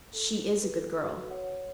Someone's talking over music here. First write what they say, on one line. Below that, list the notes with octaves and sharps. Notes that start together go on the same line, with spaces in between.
"She is a good girl."
A4
B4
A4
F#4
C#5 F#5